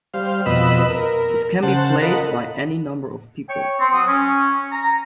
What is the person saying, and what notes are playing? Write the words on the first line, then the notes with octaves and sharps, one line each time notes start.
It can be played by any number of people.
G3 C5 F5
F2 B2 B4 D#5 B5 E6
A#4
C#3 C5 F#5 A5
F4 A4 A#4 D#5 F#5 B5
C#5 G5 C#6
C4
F#3 D#6
C#4
A#5